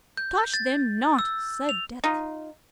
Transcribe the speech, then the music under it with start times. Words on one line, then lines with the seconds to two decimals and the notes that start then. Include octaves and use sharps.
"Touch them not!" said Death.
0.17 G6
0.54 A6
1.19 E6
1.69 F7
2.04 D#4 F4